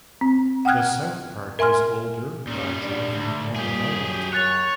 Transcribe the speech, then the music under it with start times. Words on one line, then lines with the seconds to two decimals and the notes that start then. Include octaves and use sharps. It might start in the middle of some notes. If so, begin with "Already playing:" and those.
The south park is older, larger, and more developed.
0.21 C4
0.65 F#5 G5 D#6 F6 F#6 G#6
1.59 A#4 E5 G#5 C6 F6
2.47 A#2 G3 C#4
2.81 D4 D5
3.16 D2
3.56 D#2 A#2 G3 G4 G#4
3.98 F#2
4.33 C#5 F#6 A6 F7